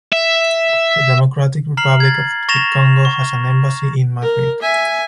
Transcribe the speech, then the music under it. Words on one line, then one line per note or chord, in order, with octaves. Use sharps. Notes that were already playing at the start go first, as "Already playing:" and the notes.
The Democratic Republic of the Congo has an embassy in Madrid.
E5
A#5 F6 C7 F#7
G#6 A6
C#6 A6 A#6 E7 F7
C#6
A#4
E5 G#5